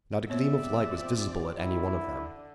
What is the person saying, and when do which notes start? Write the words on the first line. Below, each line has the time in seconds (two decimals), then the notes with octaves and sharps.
Not a gleam of light was visible at any one of them.
0.30 F3 B3 C4 C#5 D5 E5
1.56 D#3 E4
1.95 D3